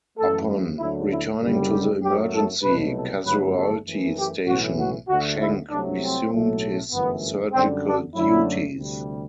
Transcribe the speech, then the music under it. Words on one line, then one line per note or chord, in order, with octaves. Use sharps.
Upon returning to the emergency casualty station, Schenck resumed his surgical duties.
F#2 E3 A3 A4
D2 D3 F#3 A3 E4
E4
F#1 F#2 D3 G3
G4
F#2 F#3 A3 G4
A4
C2 B2 F#3 A3 B4
A4
G1 G2 F#3 A3 B4
A4
F#2 E3 A3
G4
B1 A2 E3 F#4
F#4
D2 D3 A3 F#4
E4
C2 C3 F#3 A3 D4
C4
B1 A2 F#3 A3
G1 F#2 E3 A3 B3
F#2 D3 G3 C4
D4
F#2 D3 F#3 A3 E4
D2 C3 G3